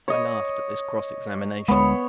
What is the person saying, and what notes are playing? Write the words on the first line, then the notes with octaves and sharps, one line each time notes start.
I laughed at this cross-examination.
C#5 D#5
D2 G#3 B3 C#5